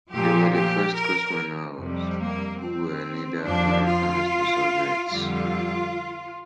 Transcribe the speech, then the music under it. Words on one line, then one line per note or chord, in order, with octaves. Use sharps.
They were the first cosmonauts who were neither Americans nor Soviets.
A#2 F3 G4
G4
A#4
F2 C3 G3
A#3
C4
F2 F3 D4
F4
F2 D3 G3 F4